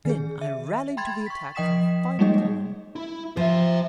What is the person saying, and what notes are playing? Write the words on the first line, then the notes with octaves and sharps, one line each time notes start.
Then I rallied to the attack for a final time.
D#3 G#4
E5
G5 B5 C6 G#6 A6
C#6 B6
F3 D#5 G5 D#6 B6 E7
G3 G#3 A#3 D#4 G#4 D#5
E4
F3 C5 E5